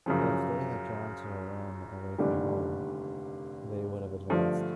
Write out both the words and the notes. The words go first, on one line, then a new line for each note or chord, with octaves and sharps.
If they had drawn to Iran away from home, they would have advanced.
F#2 C#3 F3
F1 D#2 D3 G3
G2 D3 F3 A3